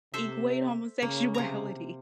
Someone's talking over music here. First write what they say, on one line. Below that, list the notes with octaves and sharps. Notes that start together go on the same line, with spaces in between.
equate homosexuality?
C3 A4 C5 E5
C#3 A#3
C3 A#5